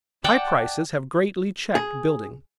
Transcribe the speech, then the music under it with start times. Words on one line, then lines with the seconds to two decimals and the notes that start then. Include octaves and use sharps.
High prices have greatly checked building.
0.24 D5 F#5 G5 A5
1.75 G#4